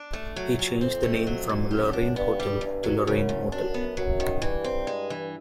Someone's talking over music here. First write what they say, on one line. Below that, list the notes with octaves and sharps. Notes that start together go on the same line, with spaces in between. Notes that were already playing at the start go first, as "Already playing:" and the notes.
He changed the name from Lorraine Hotel to Lorraine Motel.
Already playing: D4
A3
F#3
A#2
F2 C4
A3
F#3
A#2
F#2 G4
D4
G2 B3
G3
E2 G2
F#3
F#2 C#3
E2
F#2 D4
B3
F#2 F#3
D#3
G2 E3
C4
G#3
E3